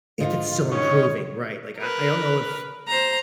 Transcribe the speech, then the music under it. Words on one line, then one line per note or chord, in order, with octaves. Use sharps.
if it's still improving, right. Like, I I don't know if
G#2 D3 F4 D#5
D#3 C#4 C#5
A#4 B4
C5 A#5